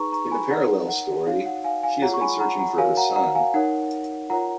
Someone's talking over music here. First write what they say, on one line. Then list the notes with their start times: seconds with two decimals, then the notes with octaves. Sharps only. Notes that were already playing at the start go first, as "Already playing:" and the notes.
In a parallel story, she has been searching for her son.
Already playing: D#4 G#4 B4 A#5 C#6
0.12 A#5 C#6
0.31 G#5 B5
0.50 D#4 A#4 C#5 F#5 A#5
0.88 F#5
1.26 D#4 F#4 C#5 F5
1.46 F#5
1.64 F5 G#5
1.83 F5 G#5
2.02 F4 G#4 C#5 F#5 A#5
2.14 C#6
2.21 G#5 B5
2.40 F#5 A#5
2.59 F#5 A#5
2.78 F#4 A#4 C#5 F5 G#5
2.97 F#5 A#5
3.16 F#5 A#5
3.35 F5 G#5
3.54 D#4 A#4 C#5 F#5
4.30 F4 A#4 C#5 F#5 A#5